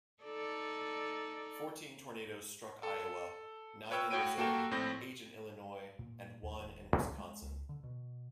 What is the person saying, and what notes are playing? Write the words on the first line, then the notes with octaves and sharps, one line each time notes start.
Fourteen tornadoes struck Iowa, nine in Missouri, eight in Illinois, and one in Wisconsin.
D#4 A4 D5
A4
B4 C#5 G5 E6 F6
A2 F#4 C#5 G5 D7 D#7
A#3 F#4 A4 G5 C#6 E7
A#1 A2 C4 A#6
A#2
D#2
D#1
C#2
G#3
C#2
D3
B2